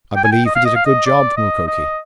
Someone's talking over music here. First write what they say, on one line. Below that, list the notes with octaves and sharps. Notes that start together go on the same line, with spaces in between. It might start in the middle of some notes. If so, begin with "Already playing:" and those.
"I believe we did a good job, Mukoki!"
G5
G#5
G5
D#5
F5
D#5
F5
D#5
D5
D#5
D#5